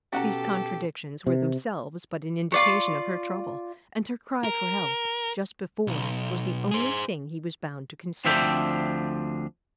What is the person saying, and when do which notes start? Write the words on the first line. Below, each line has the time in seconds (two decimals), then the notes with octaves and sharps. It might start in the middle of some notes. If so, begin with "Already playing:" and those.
These contradictions were themselves but an indication of her trouble, and her cry for help, just before, was the only thing he was bound to consider.
0.13 B2 C#4 F#4 G4 A4 F#5 A#5
1.27 C3
2.52 F4 D5 C#6
4.44 A#4
5.87 B1
6.71 G#4 C5
8.25 D2 F3 C4 D4 E5 G5